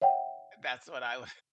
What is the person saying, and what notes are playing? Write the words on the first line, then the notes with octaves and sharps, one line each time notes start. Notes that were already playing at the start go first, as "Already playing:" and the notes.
That's what I wa
C#5 E5 F#5 G5